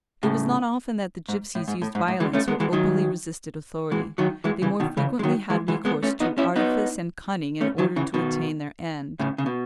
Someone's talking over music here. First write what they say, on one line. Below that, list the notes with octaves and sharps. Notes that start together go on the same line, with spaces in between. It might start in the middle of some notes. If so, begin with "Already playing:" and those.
It was not often that the gipsies used violence or openly resisted authority; they more frequently had recourse to artifice and cunning in order to attain their end.
A2 C#3
G#2
A2
G#2
A2
G#2
A2
E3 G#3
A3 C#4
G#3 B3
E3 G#3
D#3 F#3
E3 G#3
D#3 F#3
E3 G#3
C#3 E3
B2 D#3
C#3 E3
G#3
D#3 F#3
E3 G#3
E3 G#3
G#3 B3
A3 C#4
B3 D#4
C#4 E4
B3 D#4
A3 C#4
D#3 F#3
C#3 E3
B2 D#3
A2 C#3
C#3
B2